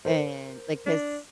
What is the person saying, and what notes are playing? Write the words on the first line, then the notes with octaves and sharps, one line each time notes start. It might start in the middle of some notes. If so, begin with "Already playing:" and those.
And, like, his
A#4 C5
D4